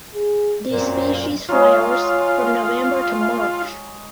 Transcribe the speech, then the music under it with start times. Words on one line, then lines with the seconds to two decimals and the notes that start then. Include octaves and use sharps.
This species flowers from November to March.
0.15 G#4
0.71 F#2 A#2 C4 A#4
1.49 F#3 G#3 F4